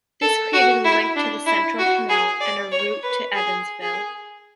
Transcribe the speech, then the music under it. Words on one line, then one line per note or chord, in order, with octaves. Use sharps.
This created a link to the Central Canal and a route to Evansville.
A4
F#4
E4
D4
E4
F#4
G#4
D5
C#5
B4
G#4
G#4